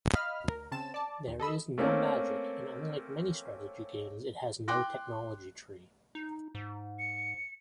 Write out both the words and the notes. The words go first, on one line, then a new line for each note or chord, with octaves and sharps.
There is no magic, and unlike many strategy games, it has no technology tree.
D#5 F5 B5 F6
D2 A#4
C#3 C4 A5 E7
D5 A5
D#2
A4 D#5 B5 E6
A3 A#3 C4 C#4
G5 C6 D6 F#6 A#6
D#4
G#2
C#7